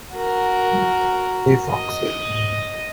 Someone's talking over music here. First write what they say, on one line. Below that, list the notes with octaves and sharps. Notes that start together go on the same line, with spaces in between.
Hey Foxy!
F#4 A#4
D#5